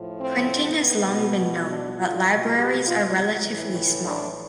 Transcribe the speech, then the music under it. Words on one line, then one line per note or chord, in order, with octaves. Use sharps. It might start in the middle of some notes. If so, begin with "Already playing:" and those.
Printing has been long known but libraries are relatively small.
Already playing: A2 F3
C4
B3
B2
D4
F4
B2
G4
F4
A2 E3
D4